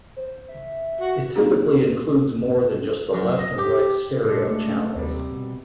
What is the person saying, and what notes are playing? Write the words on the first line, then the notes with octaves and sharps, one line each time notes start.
It typically includes more than just the left and right stereo channels.
C5
E5
F#4
A#3 C4 D4 D#4 F#4 G#4
F#2
D#5
G4
A#2 G#3 D4 A4
A3
D#2 C3 G3
B2